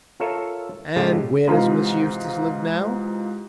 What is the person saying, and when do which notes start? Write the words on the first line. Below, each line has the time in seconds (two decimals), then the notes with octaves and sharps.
"And where does Miss Eustace live now?"
0.20 F4 A4 A#4 C#5 E5
0.96 G#2 C#3 G#3 A3 F4 G4
1.48 G#2 C3 E3 D#4 F4